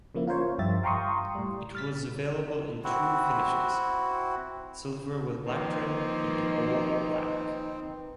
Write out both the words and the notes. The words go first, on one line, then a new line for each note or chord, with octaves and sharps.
It was available in two finishes; silver with black trim and all black.
C#3 F3 A#3 E4
F4 A#4 C5 C#5
G2 F3 G4 E5 A6
F5 G5 A#5 C6 C#6 D#6
A2 G3
F6 A6 B6
C4 E4 F#4
D#3 F3 A#3 C4 D#4 B4